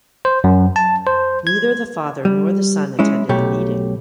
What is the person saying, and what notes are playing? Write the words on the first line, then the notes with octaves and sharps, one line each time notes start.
Neither the father nor the son attended the meeting.
C5
F#2
A5
C5
G#6
G3
G#3 C#4 E4
B1 B2 A3 G4 C#5